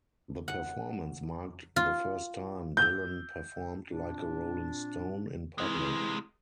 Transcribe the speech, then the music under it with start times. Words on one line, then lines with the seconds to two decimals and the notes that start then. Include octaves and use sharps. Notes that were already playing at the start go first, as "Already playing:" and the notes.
The performance marked the first time Dylan performed "Like a Rolling Stone" in public.
0.48 F#5
1.76 F4
2.77 G6
3.89 A#2 C4 D4
5.58 C3 E3 G#3 C4 E4